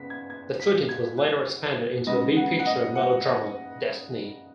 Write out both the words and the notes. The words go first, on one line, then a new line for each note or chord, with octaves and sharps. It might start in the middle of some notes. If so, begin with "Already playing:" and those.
The footage was later expanded into a B-picture melodrama "Destiny".
Already playing: C#3 B3 B6
G#6
G#6
B6
G#6
F#6
C#3 G#3 B3 D#5
F#5
F#5
D#5
F#5
D#5